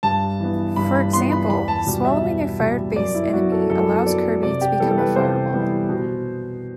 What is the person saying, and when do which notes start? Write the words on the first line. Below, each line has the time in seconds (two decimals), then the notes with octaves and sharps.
For example, swallowing a fire-based enemy allows Kirby to become a fireball.
0.03 G2 A5
0.40 E3 B3
0.76 G2 B5
0.95 B5
1.13 E3 B3 C6
1.32 B5
1.50 E2 B5
1.68 A5
1.86 B2 G3
2.05 E5
2.23 E2
2.60 B2 G3
2.96 F#2 D5
3.15 E4
3.33 F#3 B3 F#4
3.52 A4
3.70 F#2 A4
4.06 F#3 B3 D5
4.43 C3 D5
4.61 G4
4.80 E3 G3 B3 A4
4.91 A4
4.98 B4
5.16 C3 C5
5.53 E3 G3 B3
5.89 B2